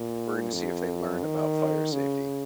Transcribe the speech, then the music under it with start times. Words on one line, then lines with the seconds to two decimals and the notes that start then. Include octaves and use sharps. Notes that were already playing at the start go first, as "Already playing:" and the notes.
we're going to see if they learned about fire safety,"
Already playing: A#2
0.53 F2
1.23 D#3
1.92 C#3